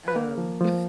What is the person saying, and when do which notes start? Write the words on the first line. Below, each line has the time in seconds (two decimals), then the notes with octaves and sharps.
Um, bu
0.08 B4
0.16 A#3 A#4
0.38 F3
0.61 F3